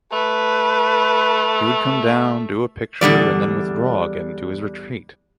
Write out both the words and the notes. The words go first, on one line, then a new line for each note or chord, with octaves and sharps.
He would come down, do a picture, and then withdraw again to his retreat.
A3 B4
E2 D3 G3 D5